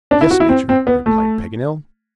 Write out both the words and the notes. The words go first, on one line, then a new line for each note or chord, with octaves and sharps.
"Yes, Major," replied Paganel.
D4
E4
F#4
E4
C4
C4
B3
A3